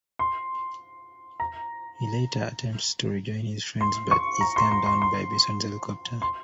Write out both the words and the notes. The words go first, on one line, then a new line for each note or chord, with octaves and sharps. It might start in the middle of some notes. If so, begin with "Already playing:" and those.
He later attempts to rejoin his friends, but is gunned down by Bison's helicopter.
C6
A#5
C6
C#6
A#5
C6
C6
C6
C6
C6